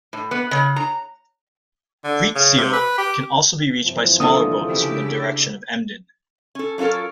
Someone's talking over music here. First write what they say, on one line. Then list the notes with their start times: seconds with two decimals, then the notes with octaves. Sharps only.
Greetsiel can also be reached by smaller boats from the direction of Emden.
0.13 A2
0.31 B3
0.51 C#3
0.76 A#5
2.05 D3
2.36 C#3
2.58 C3
2.73 B4
2.98 G4
3.83 F#2 C3 E3 F3
4.20 D#2 D3 A#3 A4 D#6
4.67 C#3 E4 G4
6.55 C#4 A4
6.78 F#3 C#4 F4 A4 A#4